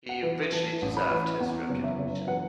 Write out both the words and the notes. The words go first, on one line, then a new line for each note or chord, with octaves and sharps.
He richly deserved his reputation.
F#5
E3
E3 A5
A1
B5
E3
E2 F#5
F#1
E5
F#1
E3 F#5